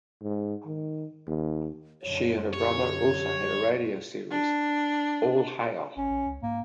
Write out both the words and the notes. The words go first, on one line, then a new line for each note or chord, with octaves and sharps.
She and her brother also had a radio series, "All Hale".
G#2
D#3
D#2
F#2 D3 C#5
G4 C#5
D4
G#1 C#4
A#1
C#2
G#2 A#3